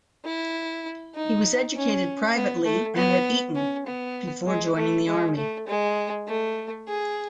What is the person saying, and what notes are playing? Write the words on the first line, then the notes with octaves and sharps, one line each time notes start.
He was educated privately and at Eton before joining the army.
E4
D#4
C#4
B3
A3
B3
C#4
B3
G#3
A3
G#3
A3
G#3
A3
G#4